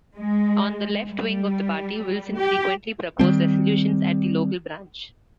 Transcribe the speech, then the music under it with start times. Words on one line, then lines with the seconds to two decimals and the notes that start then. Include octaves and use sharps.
On the left-wing of the party, Wilson frequently proposed resolutions at the local branch.
0.16 G#3
1.10 G3
2.37 G4
3.19 D#3 F3 G3 C4